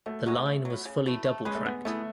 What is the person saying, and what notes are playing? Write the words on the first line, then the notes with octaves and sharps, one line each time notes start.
The line was fully double-tracked.
B2 A3
G#3 D#4 F#4
C#3
F#3
B3
C#3
E3 A3
A3
G#3 C#4 G#4 B4
A3
G#3 B3
A3 B3 E4 G#4